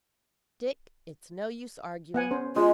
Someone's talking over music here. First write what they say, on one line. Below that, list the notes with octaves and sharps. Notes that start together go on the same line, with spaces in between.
Dick, it's no use arguing.
B3 F#5 G#5
C#4 C5
G#3 C#4 F4 G#4